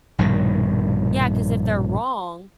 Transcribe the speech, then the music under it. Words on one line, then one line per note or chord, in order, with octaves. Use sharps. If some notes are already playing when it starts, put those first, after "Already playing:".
Yeah, 'cause if they're wrong
A#1 G2 B2 D#3